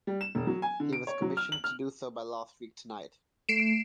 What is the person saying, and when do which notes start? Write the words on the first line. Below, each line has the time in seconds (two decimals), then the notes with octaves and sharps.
He was commissioned to do so by "Last Week Tonight".
0.07 G3
0.21 E7
0.35 E1
0.47 F#3
0.62 G#5
0.80 D3
0.93 D7
1.07 C#5
1.22 F#3
1.37 F6
1.52 F#7
1.64 F6
3.49 A3 C7 D7 E7